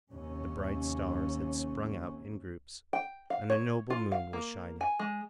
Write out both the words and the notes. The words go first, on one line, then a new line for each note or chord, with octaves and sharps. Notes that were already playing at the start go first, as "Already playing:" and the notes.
The bright stars had sprung out in groups, and a noble moon was shining.
D#2 C3 C#4
G5
F5
C#5
F4
F5
A#3
G#5
G#3